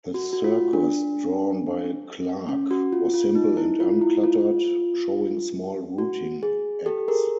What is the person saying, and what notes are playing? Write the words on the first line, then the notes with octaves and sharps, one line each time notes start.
The circus drawn by Clarke was simple and uncluttered, showing small routine acts.
F#4
F#4
F4
D4
C#4
F#4
F4
F4
D#4
E4
F4
E4
F4
F#4
G#4
G4 A4
G#4 A#4